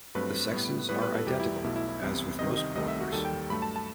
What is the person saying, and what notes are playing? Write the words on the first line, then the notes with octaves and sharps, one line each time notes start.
The sexes are identical, as with most warblers.
G2 F#3 A3 C4 B4
A2 G3 B3
A2 G3 B3 B4
B4
A4
E2 B2 G3 G4
E4
B1 B2 A3 E4
E4
E4
C2 C3 E3 B3
C2 C3 D#3 D#5
D#5
C2 C3 D#3 A3 C4 D#5
E5
F#4
D#2 D#3 G3 A4
G5
G2 F#3 A3 B5
A5
A5